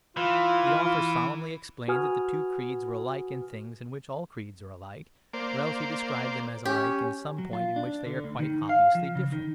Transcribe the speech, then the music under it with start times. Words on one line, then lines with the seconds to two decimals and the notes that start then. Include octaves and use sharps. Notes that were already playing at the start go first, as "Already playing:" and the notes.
The author solemnly explained that the two creeds were alike in things in which all creeds are alike, or else he described them as alike in some point in which they are quite obviously different.
0.17 E3 F4
1.88 F#4 B4 G#5 D#6 F6
5.33 A#3 C5 D5
6.65 C#4 G4
7.38 F#3
7.53 F4
7.76 D4
8.06 D3
8.24 D2
8.39 D#3
8.69 F5
8.95 F3
9.15 C#3
9.32 D#3